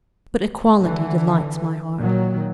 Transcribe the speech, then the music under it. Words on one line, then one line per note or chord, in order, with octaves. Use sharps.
But equality delights my heart.
D3 E3
A#2 D#3 F#3